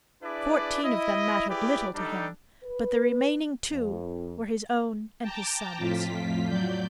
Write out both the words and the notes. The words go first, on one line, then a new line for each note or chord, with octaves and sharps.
Fourteen of them mattered little to him, but the remaining two were his own and his son's.
D4 E4 G#4 B4 D5
E4 D#5
E4 G4 G#4 B4 D5
G3 D4 D#4 G4 A4
B4
F2
G5 A5 A#5 D6
F2 A2 F4 B6
F#3 D5 G6